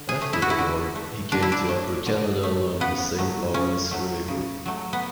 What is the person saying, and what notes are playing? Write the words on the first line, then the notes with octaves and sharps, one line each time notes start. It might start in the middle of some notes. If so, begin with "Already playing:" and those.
After the war, he came to Upper Canada along the Saint Lawrence River.
Already playing: D3
G#4
A3
E4
F#4
E4
D3
A3
D3 D4
E4
D4
A3
D3
A3
C#3 B3
F#3 A3
C#3 C#4
F#3 A3
C#3
F#3 A3
B3